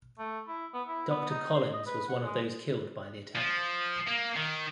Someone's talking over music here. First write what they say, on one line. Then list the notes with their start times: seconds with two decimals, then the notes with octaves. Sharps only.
Doctor Colins was one of those killed by the attack.
0.19 A3
0.48 E4
0.74 B3
0.88 E4
1.10 B3
1.30 D#4
1.54 C5
1.74 D#5
1.87 B4
2.09 F#5
2.24 G#3
3.35 F3
4.08 A#3
4.36 D#3